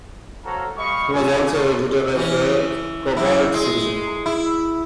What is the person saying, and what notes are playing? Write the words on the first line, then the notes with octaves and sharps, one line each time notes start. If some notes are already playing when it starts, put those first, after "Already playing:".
He was also editor of the Cobalt Citizen.
F#4 A4 C5 C#5 F5 A#5
G3 D#5 F5 B5 C#6
F4 A4 G#5
A#4 C#5 A5 C6 C#6
E3 C#4
F#2 E4
G#3
E4